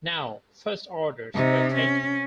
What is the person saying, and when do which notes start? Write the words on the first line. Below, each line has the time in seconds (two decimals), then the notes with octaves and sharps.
Now, first orders were taken.
1.35 C3 D#4
1.74 C#4